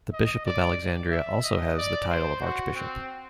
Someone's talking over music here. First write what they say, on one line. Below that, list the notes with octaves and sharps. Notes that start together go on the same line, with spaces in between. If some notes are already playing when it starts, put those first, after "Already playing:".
The Bishop of Alexandria also has the title of archbishop.
D#5
D5
E5
D#5
D5
C5
F#4
C4